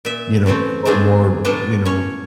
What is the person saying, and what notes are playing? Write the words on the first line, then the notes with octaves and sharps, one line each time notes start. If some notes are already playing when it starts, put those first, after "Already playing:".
you know, grow more, you know,
A#2 E5
C#3 E3 A3 C4
A3 B3 C4 D4 G#4
A2 F#3 B3 D4 A4
C#4 C#5